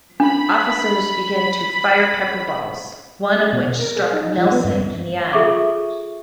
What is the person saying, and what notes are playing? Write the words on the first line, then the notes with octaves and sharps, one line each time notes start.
Officers began to fire pepper-balls, one of which struck Nelson in the eye.
D4 B5 B6
G#4
B2
A#4
G#4
D#4
F3
B3
G2
F4 G#4 A4 E5 C#6 D6